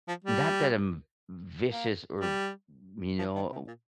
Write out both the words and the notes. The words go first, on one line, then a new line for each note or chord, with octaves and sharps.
not that I'm vicious or, you know,
F3
G3
A#3
G3
F3
D#3
C3
A#2